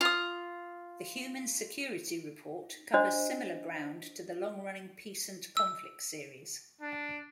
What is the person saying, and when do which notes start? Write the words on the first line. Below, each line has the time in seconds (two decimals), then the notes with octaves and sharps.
The "Human Security Report" covers similar ground to the long-running Peace and Conflict series.
0.01 F4 D#6
2.94 D4 F#4 C5 D#5
5.57 E6
6.81 D4